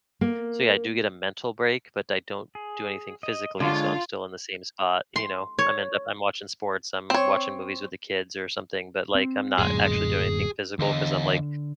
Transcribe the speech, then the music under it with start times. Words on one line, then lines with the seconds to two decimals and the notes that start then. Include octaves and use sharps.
so, yeah, I do get a mental break, but I don't do anything physically, so I'm still in the same spot, you know? I'm end up I'm watching sports. I'm watching movies with the kids or something, but, like, I'm not actually doing anything physical 'cause I'm like
0.21 A#3
2.55 G#4
3.23 D#5
3.60 D3 G#3 F4 C#5 F5
5.16 C6
5.59 C#5
7.10 C4 C#5
9.15 C4
9.58 D1 F#2 A#2 G#4 C6
10.79 E2 D3 D#5